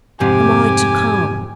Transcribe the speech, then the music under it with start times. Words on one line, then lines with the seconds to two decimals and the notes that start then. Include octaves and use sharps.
"Am I to come?"
0.20 F2 G#2 C3 G4 G#5 D6